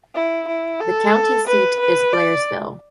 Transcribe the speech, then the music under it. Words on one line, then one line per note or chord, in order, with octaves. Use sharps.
The county seat is Blairsville.
E4
E4
A4
B4
B4
D5